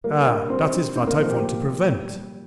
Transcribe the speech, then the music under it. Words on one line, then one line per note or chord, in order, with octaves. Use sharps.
"Ah! dat is vat I vant to prevent."
G3 A#3 A#4
D4
G3 C4 C5
D4
C4 D#4 C5
A#3 A#4
F3
G4
A#2
A#2
G3
G3